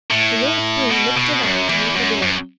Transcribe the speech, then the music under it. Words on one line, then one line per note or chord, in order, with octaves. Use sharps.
We all three looked around toward the door.
A2
B2
B2
F#2
E2
F#2
F#2